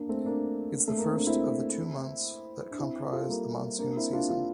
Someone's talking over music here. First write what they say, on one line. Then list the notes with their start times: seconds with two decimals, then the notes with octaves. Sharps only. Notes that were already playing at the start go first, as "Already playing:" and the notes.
It is the first of the two months that comprise the monsoon season.
Already playing: A#3 D4
0.09 A3 C4
0.26 A#3 D4
0.88 A3
0.98 A#3
1.07 C4
1.17 D4
1.27 C4 E4
2.71 D4
2.79 C4 E4
3.11 F4 A4
3.29 G3 A#3
3.79 A#3 D4
3.96 C4 E4
4.13 D4 F4
4.29 D4 F4